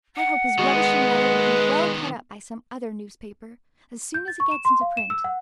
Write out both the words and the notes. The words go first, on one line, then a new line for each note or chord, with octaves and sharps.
I hope his rubbishing letter will be well cut up by some other newspaper as soon as it gets into print!
F#5
D#3 G#3 B3 F#4
B4
G6
A6
C#6
E7
C6
F5
E7
E6
F#5